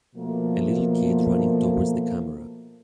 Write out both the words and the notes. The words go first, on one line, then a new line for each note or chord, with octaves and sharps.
A little kid running towards the camera.
B2 F3 A3 A#3